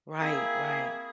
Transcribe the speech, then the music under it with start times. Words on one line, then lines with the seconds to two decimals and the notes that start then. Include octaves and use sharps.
Right, right.
0.21 A#3 C4 E4 G#4